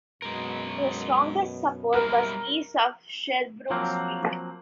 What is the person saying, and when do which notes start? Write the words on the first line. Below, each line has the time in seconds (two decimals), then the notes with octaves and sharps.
Their strongest support was east of Sherbrooke Street.
0.22 F#2 B2 G#3 A#4
1.94 G3 A#3 E4 A#4
3.70 F3 F#3 A#3 C4